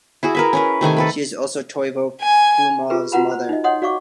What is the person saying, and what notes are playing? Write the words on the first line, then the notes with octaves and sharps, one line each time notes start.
She is also Toivo Glumov's mother.
E4 F#4 G#4
A#4 B4 E5
C#4 A#4 B4
C3 D#3 A3 G#5
A4 B4 B5
G#5
F4 G4 G#4 B4
F4 F#4 B4 F#5 A#5 B5
C5
D#4 D#5
C#5 D#5 F#5 C6 D#6
F#4 D5 F5 C#6 D6